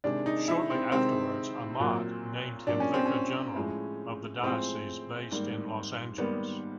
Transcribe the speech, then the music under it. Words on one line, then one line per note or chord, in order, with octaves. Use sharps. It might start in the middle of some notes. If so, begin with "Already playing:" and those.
Shortly afterwards, Amat named him Vicar General of the diocese, based in Los Angeles.
C3 D#3 G#3 D4
D#4
E4
C4
C3 D#3 G#3 C4
A#2 F#3 A#3
A#2 F#3 A#3 D4
C#4
C4
C#4
A2 F3 G#3
A2 F3 G#3 C4
G#2 D#3 G3 A#3
G#2 D#3 G3 A#3 B3